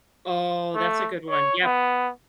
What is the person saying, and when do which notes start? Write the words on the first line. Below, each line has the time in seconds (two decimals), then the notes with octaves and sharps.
Oh, that's a good one. Yep.
0.75 A3
1.29 C#5
1.64 B3